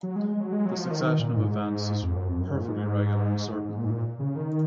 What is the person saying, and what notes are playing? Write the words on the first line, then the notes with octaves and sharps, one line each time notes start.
The succession of events is perfectly regular and certain.
F#3
G#3
G#3
F#3
G#3
F#3
F3
D#3
D#3
A#2
G#2
F2
F#2
F2
F#2
G#2
A#2
G#2
G#2
G#2
A#2
G#2
A#2
C#3
D#3